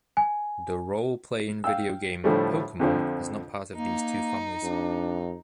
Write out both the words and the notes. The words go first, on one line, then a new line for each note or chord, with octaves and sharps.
The role-playing video game, Pokémon, is not part of these two families.
G#5
F5 G5 E6
A2 D3 F3 G3 A3
F2 D3 F3
A#3 D#4
F2 D4